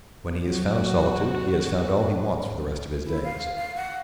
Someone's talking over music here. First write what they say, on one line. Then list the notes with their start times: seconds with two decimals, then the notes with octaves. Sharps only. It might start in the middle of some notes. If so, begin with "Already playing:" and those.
When he has found solitude, he has found all he wants for the rest of his days.
0.47 F#3 F#4
3.06 E4
3.23 F5
3.56 F5
3.76 F#5